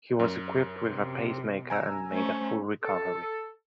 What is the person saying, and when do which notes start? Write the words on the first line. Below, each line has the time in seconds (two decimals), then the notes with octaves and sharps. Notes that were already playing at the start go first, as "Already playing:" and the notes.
He was equipped with a pace maker and made a full recovery.
0.20 F#2 A#4
0.83 C3
1.70 G#5 A#5 E6
2.10 A3 C#4 C5
2.83 A4